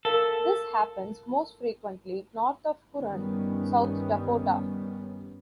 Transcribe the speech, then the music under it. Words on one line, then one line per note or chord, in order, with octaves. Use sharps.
This happens most frequently north of Huron, South Dakota.
A4 A#4 F5
G2 D#3 G3 B3 C#4